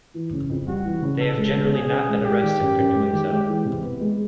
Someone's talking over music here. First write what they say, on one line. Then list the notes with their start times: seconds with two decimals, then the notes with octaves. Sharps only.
They have generally not been arrested for doing so.
0.14 E3
0.32 C#3
0.50 F2
0.67 G3 F#4
0.85 E3
1.02 C#3
1.19 C#4 A4
1.38 G#3
1.56 B2
1.72 F#4 G#4
1.90 C#4
2.08 G#3
2.25 G#3 G4
2.43 D#3
2.61 F#2
2.78 F#2
2.95 G#3
3.13 D#3
3.30 G#3
3.49 E3
3.65 C3
3.83 B3
4.01 G#3